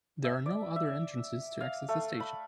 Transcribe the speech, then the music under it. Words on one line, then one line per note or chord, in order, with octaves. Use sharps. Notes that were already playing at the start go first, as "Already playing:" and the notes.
There are no other entrances to access the station.
E5
D5
E5
F5
A3
B5